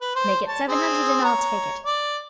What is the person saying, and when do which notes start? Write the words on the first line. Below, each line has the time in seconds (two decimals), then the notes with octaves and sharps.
"Make it seven hundred and I'll take it."
0.01 B4
0.15 C5
0.47 C#5 A5
0.68 C4 G#4
1.24 C#5 A#5
1.85 D5